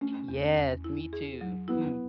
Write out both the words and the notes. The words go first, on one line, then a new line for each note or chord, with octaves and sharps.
Yes, me too. Mm.
A3 C#4
E2
E2
E4
G#4
F#3
B3 E4